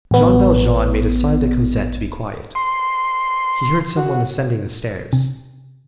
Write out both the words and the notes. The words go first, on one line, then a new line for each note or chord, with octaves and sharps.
Jean Valjean made a sign to Cosette to be quiet. He heard some one ascending the stairs.
A1 B3
C6
F#4
C3